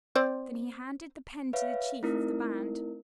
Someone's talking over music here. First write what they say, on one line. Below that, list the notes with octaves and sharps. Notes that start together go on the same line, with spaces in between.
Then he handed the pen to the chief of the band.
C4 C5 D5
B4 C#5 E5 F5
A3 C4 D#4 E4 A#4